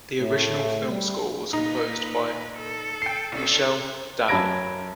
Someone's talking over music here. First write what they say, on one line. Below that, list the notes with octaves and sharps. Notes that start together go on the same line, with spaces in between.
The original film score was composed by Mychael Danna.
A2
G3
A#2 D#4 B4
A4
G5 C7
C2 C#4 A4
F#2 A5 B5 G#6 A#6 D7